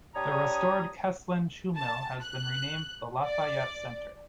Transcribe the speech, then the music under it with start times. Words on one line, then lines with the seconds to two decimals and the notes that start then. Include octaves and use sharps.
The restored Kesslen Shoe Mill has been renamed the Lafayette Center.
0.15 G3 D4 C#5 A#5 D#6
1.77 A5
2.24 F#6
3.25 D5